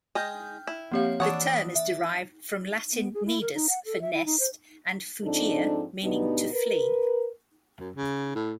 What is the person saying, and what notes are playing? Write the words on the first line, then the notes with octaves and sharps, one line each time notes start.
The term is derived from Latin "nidus" for "nest" and "fugere" meaning "to flee".
G#3 D#5 G5 F6 G6
E4
F3 A#3 C4 G4 C#5 F5
E3 D4 C#5 F#5 D#6
E5
B3
G#4
E4
A#4
D#4
F#5
A4
E5
E4
D#4
C5
G#2 F3 C4 D4 D#4 A4
D2 B2 B3 D4 D#4 G4
A#4 B4
F#2
C#3
A2